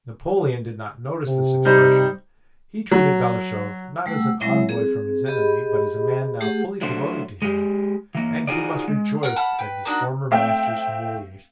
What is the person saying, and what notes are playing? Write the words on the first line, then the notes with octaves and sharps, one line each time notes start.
Napoleon did not notice this expression; he treated Balashev not as an envoy from his enemy, but as a man now fully devoted to him and who must rejoice at his former master's humiliation.
C3
G3 D#4 C5
F#3
G3 A3 F#5 E6
F#3 G#3 C4 E4 C#5 E5
C4 G#4
G4 G#4 D#5 B5
A3 G4 G#4 F#5
F#3 A3 D4 C5
G#3 G4
E3 A#3
D#4 F4 F#4 G#4 C5 D5
G#3
A#4 F#5
F#5 A5 B5 F6
B4 G5
A#3 D4 D#4 F#4
A3 C4 E5 F5 G5